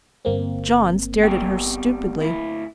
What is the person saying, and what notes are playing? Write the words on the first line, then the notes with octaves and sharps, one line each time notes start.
John stared at her stupidly.
G1 A#3 C4
B2 G3 G5
D2 E4